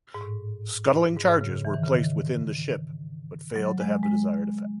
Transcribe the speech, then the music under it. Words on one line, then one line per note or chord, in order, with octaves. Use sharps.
Scuttling charges were placed within the ship but failed to have the desired effect.
G#2
A2
G#2
G#2
C#3
E3
D#3
C#3
D#3
F#3
G#3
G#3